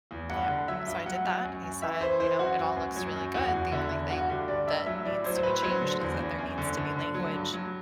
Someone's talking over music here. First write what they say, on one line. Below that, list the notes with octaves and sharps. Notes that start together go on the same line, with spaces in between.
Yeah, so, I did that, and he said, you know, "It all looks really good, the only thing that needs to be changed is that there needs to be language
E2
G2 F#5
D3
F#3 E5
G2
F#3 F#5
F#3
F#2
F#2
E3 E5
E3 C5
E3 C5
F#2 F#4
F#2
F#2
F#3
F#2
E2 F#4
E2
D3 E4
E2
G2 F#4
D3 G4
G2 D5
G2 E5
F#3 E5
A2 D5
F#3 C5
C5
A2 B4
F#3 C5
D3
E2
E2
F#2
D3
D3
D3
F#3
G2
F#3